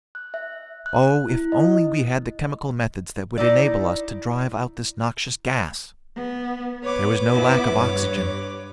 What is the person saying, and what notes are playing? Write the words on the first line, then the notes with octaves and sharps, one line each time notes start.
Oh, if only we had the chemical methods that would enable us to drive out this noxious gas! There was no lack of oxygen.
F#6
E5
F#6
E4
D#5
D#4 E4 D5
B3
B3 B4 C#5 D6
B3 E4
G2 C#5